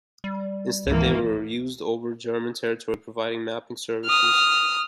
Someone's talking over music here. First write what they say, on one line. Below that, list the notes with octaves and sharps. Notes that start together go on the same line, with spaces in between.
Instead they were used over German territory providing mapping services.
G3
G#1 C#2 E3 A#3
D#6 F6